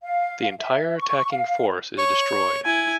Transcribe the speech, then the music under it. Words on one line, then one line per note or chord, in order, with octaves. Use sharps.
The entire attacking force is destroyed.
F5
E5
C#6
F5
C#5 C#6
E4 G#5